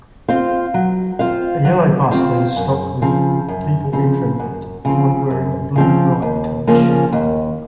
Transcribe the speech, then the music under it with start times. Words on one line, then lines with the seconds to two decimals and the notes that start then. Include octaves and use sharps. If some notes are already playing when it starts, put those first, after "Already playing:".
A yellow bus that is stopped with people entering it one wearing a blue bright colored shirt.
0.28 C4 F4 C5 F5
0.74 F#3
1.19 C4 F4 C5 F5
1.65 F#3
2.11 C4 F4 C5 F5
2.56 F#2
3.02 C#3 F3 C4
3.48 F#2
3.93 C#3 F3 C4
4.39 F#2
4.85 C#3 F3 C4
5.30 F#2
5.75 C#3 F3 C4
6.22 D#2
6.67 C#3 F3 A#3 C#4
7.12 D#2